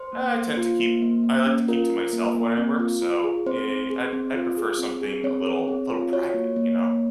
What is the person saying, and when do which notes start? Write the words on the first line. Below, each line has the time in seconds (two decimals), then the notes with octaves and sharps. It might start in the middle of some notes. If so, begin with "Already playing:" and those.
I tend to keep I like to keep to myself when I work, so i I'd I'd prefer something a little a little private. You know?
Already playing: C5
0.13 A#3
0.35 A#3
0.57 F4
0.80 A#3
1.02 A#3
1.24 A#3
1.47 C#4
1.68 F4 A#4
1.91 F4
2.13 A#3
2.35 A#3
2.58 C4
2.79 F4
3.02 F4
3.24 G#4
3.46 C4 C5
3.68 C4
3.90 G#4
4.13 C4
4.35 F4
4.57 G#4
4.79 C4
5.01 G#4
5.23 C4 C#5
5.46 G#4
5.68 C4
5.90 F4
6.12 F#4 C#5
6.34 A#3
6.56 A#3
6.79 A#3